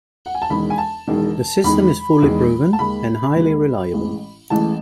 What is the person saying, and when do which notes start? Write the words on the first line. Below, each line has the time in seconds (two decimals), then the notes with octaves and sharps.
The system is fully proven and highly reliable.
0.26 F#5
0.35 G#5
0.42 A5
0.49 E1 E2 D#3 G#3 B5
0.70 G#5
0.78 A5
1.07 E1 E2 D#3 G#3
1.64 E2 D#3 G#3 B5
2.22 E2 D#3 G#3
2.73 A5
2.79 D#2 D#3 G#3 B5
3.36 D#2 D#3 G#3
3.93 A1 A2 E3 G#3
4.50 A1 A2 E3 G#3 A5